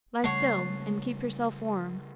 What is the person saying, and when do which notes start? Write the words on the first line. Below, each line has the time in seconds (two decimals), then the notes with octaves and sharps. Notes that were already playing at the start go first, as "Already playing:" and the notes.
Lie still, and keep yourself warm.'
0.24 C#3 G3 A3 C#5 F#5 A5 C7